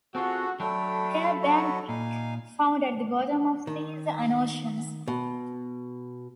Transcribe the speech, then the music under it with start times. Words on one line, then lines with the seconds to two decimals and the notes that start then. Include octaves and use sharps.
They are benthic, found at the bottom of seas and oceans.
0.15 C4 F4 F#4 G#4 A4
0.60 F#3 A3 D4 A4 G5 B5
1.42 F#4 C#5 D#5
1.89 A#2 D#4 F5 G#5
3.67 D#3
5.08 B2